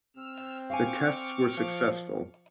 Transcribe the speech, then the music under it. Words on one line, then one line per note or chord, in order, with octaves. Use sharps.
The tests were successful.
C4 E6 F6
F5 G#5 C#6 D6 F6
F3